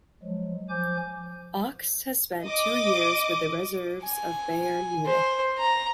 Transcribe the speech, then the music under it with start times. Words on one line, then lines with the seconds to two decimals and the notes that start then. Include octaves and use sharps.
Ochs has spent two years with the reserves of Bayern Munich.
0.23 F3 F#3 G#3
0.69 F3 C5 G#5 D6 G6
2.44 D#5 D6
4.03 G#5
5.06 C5
5.58 A#5